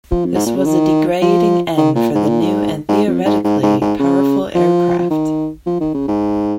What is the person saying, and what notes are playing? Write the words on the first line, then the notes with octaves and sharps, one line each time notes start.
This was a degrading end for the new and theoretically powerful aircraft.
F3
F2
G#2
A#2
C#3
D#3
F3
D#3
A#2
G#2
A#2
G#2
G#2
F2
G#2
G#2
G#2
G#2
C#3
F3
F3
D#3
F3
D#3
C#3
G#2